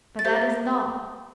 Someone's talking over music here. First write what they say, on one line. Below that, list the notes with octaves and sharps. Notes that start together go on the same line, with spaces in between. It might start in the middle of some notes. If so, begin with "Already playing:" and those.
But that isn't all.
A6
G4 C5 E5 G6